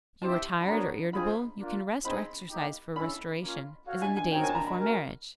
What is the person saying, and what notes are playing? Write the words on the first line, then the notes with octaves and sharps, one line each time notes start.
If you are tired or irritable, you can rest or exercise for restoration, as in the days before marriage.
C4 E4 G4 C5 E5 A5
B5
B3 D4 F#4 A#4 C#5 A#5
C4 F4 G#4 C5 B5
A#3 D4 F4
C4 D#4 G#4 C5 D#5 B5
A#3 D#4 G4
C#4 E4 A4 B5
A#3 C#4 F4
F#4 A4 C#5 F5
G#5
G#5
C4 D#4 F#4 A#4 C#5 G5
G#5
A5
A#5
B5
C#4 F#4 A#4